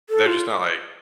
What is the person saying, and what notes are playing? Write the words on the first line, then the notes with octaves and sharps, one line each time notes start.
They're just not, like,
A4
F4